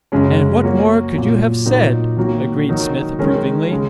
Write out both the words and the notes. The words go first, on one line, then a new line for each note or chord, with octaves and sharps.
"And what more could you have said?" agreed Smith approvingly.
F#2 C#3 G#3 C#4
F#3 A#3 F#4 A#4 C#5
A#2 F#3 A#3
A#2 F#3 D#4 A#4
D#3 F#3 A#3 F#4
D#3 F#3 D#4 A#4
D#3 G#3 C#4 A#4
C#3 G#3